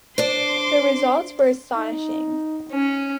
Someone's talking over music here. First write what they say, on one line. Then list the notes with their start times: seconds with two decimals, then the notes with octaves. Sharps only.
The results were astonishing.
0.18 D4 C5 C6 D6
1.76 D#4
2.72 C#4